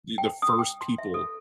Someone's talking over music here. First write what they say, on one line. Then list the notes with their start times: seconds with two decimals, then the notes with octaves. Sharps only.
e the first people
0.18 G5
0.42 D#6
0.59 G5
0.81 C6
0.98 E5
1.14 A4